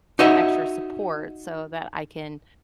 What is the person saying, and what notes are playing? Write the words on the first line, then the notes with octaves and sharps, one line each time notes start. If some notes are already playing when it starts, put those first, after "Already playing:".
some extra support so that I can,"
D#4 F#4 D#5 E5